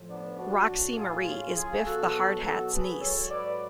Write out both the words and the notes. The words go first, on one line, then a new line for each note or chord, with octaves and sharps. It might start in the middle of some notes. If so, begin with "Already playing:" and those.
Roxie Marie is Biff the Hardhat's niece.
Already playing: A2 F3
B3 D4
D4 F#4
A2 F#3
F4 G#4
C#4 F4
F4 G#4
B2 F#3 F#4 A4
F#4 A4
G#4 B4
G#2 F#3 A4 C#5
B4 D5